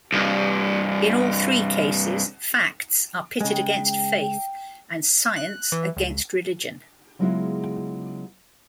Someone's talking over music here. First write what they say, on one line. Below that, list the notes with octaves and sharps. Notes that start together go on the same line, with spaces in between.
In all three cases, facts are pitted against faith and science against religion.
C2 G2
C#3 G#3 G5
F#6
E3
C#2
C#3 F#3 G#3 B3 E4 F4